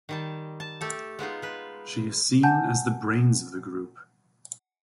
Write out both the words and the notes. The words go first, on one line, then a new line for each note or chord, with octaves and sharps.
She is seen as the brains of the group.
D#3 G3 A5
A5
A3 G4 A4
G#3 B3 D#4 F4
G#3 B4
F#5 G#5 A5 G6